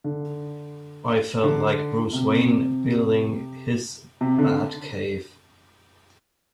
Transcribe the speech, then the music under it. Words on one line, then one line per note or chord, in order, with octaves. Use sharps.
I felt like Bruce Wayne building his Batcave!
D3
D3
C3
C3
D3